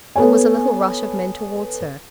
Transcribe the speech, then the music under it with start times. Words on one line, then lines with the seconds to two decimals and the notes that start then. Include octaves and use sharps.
There was a little rush of men towards her.
0.16 B3 A4 C#5 G#5